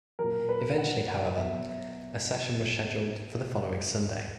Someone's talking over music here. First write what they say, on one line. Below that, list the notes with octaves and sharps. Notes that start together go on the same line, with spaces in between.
Eventually, however, a session was scheduled for the following Sunday.
A#2 F#3 A#4
B4
F#5
F#5
B2 F#3 E5